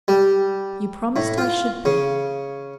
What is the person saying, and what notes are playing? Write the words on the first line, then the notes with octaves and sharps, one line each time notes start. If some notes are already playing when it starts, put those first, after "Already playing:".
"You promised I should be."
G3
A2
F4
C#3